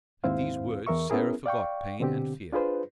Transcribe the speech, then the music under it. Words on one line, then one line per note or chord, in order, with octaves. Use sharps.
At these words Sarah forgot pain and fear.
D#2 G#2 C4 E4 C5 F5
E2 E3 A#4 E5 C#6
B3 C#4 E4 G#4 A#4
D5 F5 G5 C#6
B2 D3 C4 G4
D4 F4 G#4 B4 C5